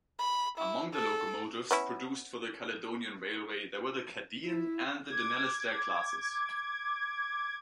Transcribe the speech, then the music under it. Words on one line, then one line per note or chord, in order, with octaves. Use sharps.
Among the locomotives produced for the Caledonian Railway were the "Cardean" and "Dunalastair" Classes.
B5
E4
A4
B3 C#4 E4
E4
D6 G#6